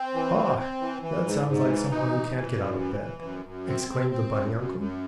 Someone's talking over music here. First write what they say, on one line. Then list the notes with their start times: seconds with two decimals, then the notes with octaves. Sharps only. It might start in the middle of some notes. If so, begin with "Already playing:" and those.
"Ha! that sounds like some one who can't get out of bed," exclaimed the bunny uncle.
Already playing: C4
0.14 E3
0.37 C4
0.58 C4
0.81 E3
1.02 E3
1.25 G#2
1.47 G#2
1.69 E3
1.91 D#4
2.13 E3
2.35 E3
2.57 F#2
2.79 E3
3.00 E3
3.23 F#2
3.46 F#2
3.67 C4
3.89 C4
4.11 C4
4.34 F#2
4.55 F#2
4.78 F#2